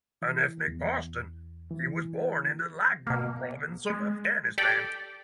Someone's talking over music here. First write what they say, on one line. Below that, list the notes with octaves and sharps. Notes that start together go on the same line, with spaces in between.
An ethnic Pashtun, he was born in the Laghman Province of Afghanistan.
E3
E2
E3
B2 A#3
G#3
G4 A4 D5 G5